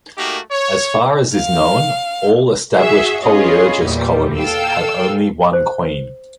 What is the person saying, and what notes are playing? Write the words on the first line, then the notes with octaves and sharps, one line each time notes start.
As far as is known, all established "Polyergus" colonies have only one queen.
A3 A#3 D#4 F#4 G4 A#4
C#5
F5
F#4 G#4 E5
C#4 F4 G#4 B4 C#5 D#5
E2 A#2 G3
A4 F5 G5 E6
C5